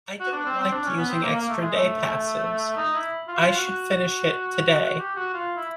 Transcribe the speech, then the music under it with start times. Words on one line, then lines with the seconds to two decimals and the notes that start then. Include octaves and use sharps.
I don't like using extra day passes; I should finish it today.
0.20 F#4
0.32 D4
0.46 C4
0.59 C4
0.71 D4
0.85 C#4
0.97 B3
1.10 C4
1.22 A#3
1.35 A#3
1.49 A3
1.61 G#3
1.74 A3
2.77 D#4
2.94 E4
3.28 F4
3.36 F#4
3.41 F4
3.54 F#4
3.66 F#4
4.82 F#4
4.99 G4
5.16 F#4
5.34 F4
5.57 E4